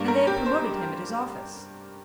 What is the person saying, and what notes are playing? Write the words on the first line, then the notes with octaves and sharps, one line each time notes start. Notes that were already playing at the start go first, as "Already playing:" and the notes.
"And they have promoted him at his office."
Already playing: G2 G3 A#3
A#4
G4
C5